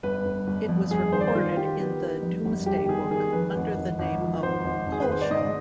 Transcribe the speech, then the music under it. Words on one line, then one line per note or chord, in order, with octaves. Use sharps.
It was recorded in the Domesday Book under the name of Coleshill.
G1 B4
G1
G1
F2
G1 G#4
D#3 C5
D5
C5
D#3 F4
D#3 G4
B3
D#3
F2
G1
G1 G4
G4
D#3 G#4
D#3 G#4
F2 B4
G#1
G#1
G#1
F3
G#1 C5
G#1
G#1
G#4
B4
G#1 C5
D5
G#2 D#5